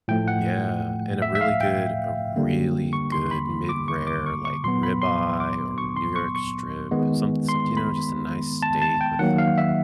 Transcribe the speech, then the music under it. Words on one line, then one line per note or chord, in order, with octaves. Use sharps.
yeah, and a really good a really good mid-rare, like, ribeye or New York strip, some s you know, just a nice steak with, uh,
A2 F3 A3 G5
F#5
E5
E5
F5
G5
D3 G3 A#3
C#6
C6
B5
D6
C#6
D6
C#6
C#6
A#2 F#3 B3 C6
B5
C6
D6
C#6
C6
C#6
C#6
D#3 G#3 B3
C6
B5
A5
A5
G5
D#3 F#3 A#3 F#5
F5
E5